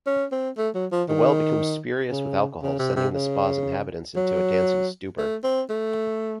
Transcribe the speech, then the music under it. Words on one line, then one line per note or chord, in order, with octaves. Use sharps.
The well becomes spurious with alcohol, sending the spa's inhabitants into a dancing stupor.
C#4
C4
A3
F#3
F3
D#3
C#3
C#3
C3
C3
C#3
F#3
A3
C4
A3